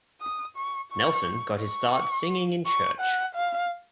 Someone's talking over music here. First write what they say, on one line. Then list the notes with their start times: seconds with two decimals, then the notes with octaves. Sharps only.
Nelson got his start singing in church.
0.21 D#6
0.57 C#6
0.92 C#6
1.62 C#6
2.66 C#6
3.01 F#5
3.35 F5